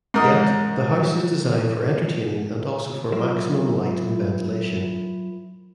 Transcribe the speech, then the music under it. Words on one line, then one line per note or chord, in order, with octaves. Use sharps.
Yet the house is designed for entertaining and also for maximum light and ventilation.
G#2 A#4 D#5
F#3 E4 F4 A#4 C5